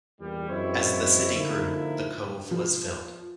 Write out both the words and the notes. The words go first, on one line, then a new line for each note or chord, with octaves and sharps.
As the city grew, the cove was filled.
E2 G2 A#2 G3
F#2 E3 G#3 C4 E4 C#5
D3 F3 A#3 D#4 E4
F3